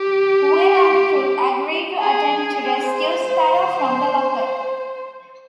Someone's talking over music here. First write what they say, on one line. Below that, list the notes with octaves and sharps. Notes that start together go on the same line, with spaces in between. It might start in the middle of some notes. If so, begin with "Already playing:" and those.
Will and the crew agree to attempt to rescue Sparrow from the Locker.
Already playing: G4
G#4
C5